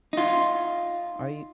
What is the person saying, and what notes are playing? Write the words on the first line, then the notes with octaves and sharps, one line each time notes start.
Are you
D#4 F4